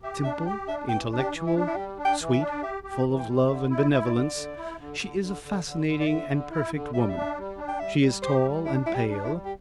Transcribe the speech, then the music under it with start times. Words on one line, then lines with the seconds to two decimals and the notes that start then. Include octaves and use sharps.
Simple, intellectual, sweet, full of love and benevolence, she is a fascinating and perfect woman. She is tall and pale.
0.03 G4 E5
0.24 D4 E5
0.46 G4 G5
0.68 D4 E5
0.89 E3 G5
1.12 D4
1.19 G4
1.33 E3
1.47 E4
1.55 D4
1.67 E4
1.76 G3 G4
1.98 D4
2.05 G5
2.19 E3
2.33 E5
2.40 D4
2.51 D5
2.62 G4 E5
2.83 G4
2.91 G5
3.06 E3
3.19 G5
3.27 G3
3.48 D3 E5
3.69 E4
3.77 D5
3.92 E4
4.05 D5
4.13 D3
4.35 D3
4.57 E4
4.78 D3
5.00 D3
5.21 D3
5.43 D3
5.65 D3
5.86 D3
6.00 D5
6.07 D3 E5
6.29 D3
6.51 E4
6.71 D3
6.93 G3 E5
7.01 D5
7.09 E5
7.16 D4
7.37 G3
7.58 D4
7.68 G5
7.80 G3 E5
8.01 G3
8.22 G4 C5
8.44 G3
8.66 D4 E4
8.86 G3 E4
8.94 G4
9.10 D4
9.24 E4
9.31 G3
9.45 G4